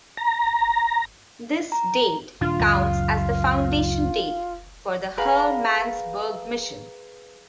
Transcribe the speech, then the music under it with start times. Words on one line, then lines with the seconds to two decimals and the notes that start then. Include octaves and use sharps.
This date counts as the foundation date for the Hermannsburg Mission.
0.17 A#5
1.72 A#5
2.41 D#1 D4 F4
2.62 C#2 F#2
5.17 G#4 A#4 B4 F5 F#5